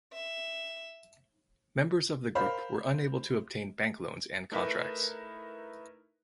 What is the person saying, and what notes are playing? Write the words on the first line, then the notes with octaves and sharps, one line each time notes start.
Members of the group were unable to obtain bank loans and contracts.
E5
A#4 C5 F5 B5 C6 F6
A3 D#4 E4 A#4 B4 E5